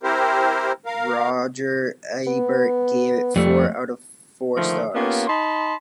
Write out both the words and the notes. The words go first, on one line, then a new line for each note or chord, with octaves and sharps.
Roger Ebert gave it four out of four stars.
C4 E4 G4 A#4 C5
A#4 F5
B3
F2 G3 A3
D3 D#3 F3 A3 A#3
A#3 B3 C#4 F4 G4
D#4 A5 B5 C6